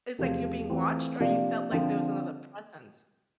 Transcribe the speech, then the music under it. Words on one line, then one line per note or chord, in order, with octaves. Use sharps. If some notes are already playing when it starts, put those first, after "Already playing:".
It's like you're being watched, or you felt like there was another presence?
E2 C3 F3 A3
E3 A3 C4 F4
C3 F3 A#3 D4 F4
D3 F3 C4